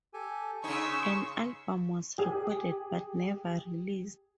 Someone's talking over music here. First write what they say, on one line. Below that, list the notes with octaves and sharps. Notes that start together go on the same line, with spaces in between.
An album was recorded, but never released.
G4 A4 G#5
C#3 D#4 C#5 G#5 C6 C#6 E6
G4 G#4